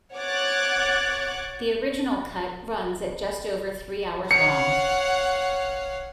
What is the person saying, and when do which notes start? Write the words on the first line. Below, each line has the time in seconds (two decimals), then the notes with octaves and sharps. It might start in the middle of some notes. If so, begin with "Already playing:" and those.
The original cut runs at just over three hours long.
0.15 C#5 F#5 D6 F#6 G#6 A6
4.31 C#5 F5 F#5 C#7